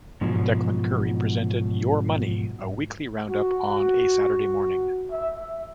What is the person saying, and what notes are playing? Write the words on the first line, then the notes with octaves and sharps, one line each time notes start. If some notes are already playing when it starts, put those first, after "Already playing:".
Declan Curry presented "Your Money", a weekly round-up on a Saturday morning.
G#2 B2 F3 F#3
F#4
E5